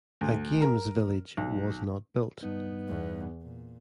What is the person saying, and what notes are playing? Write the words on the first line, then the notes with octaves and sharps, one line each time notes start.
A games village was not built.
D2
A#4
B1
G2 B3 D#4
E2
A#2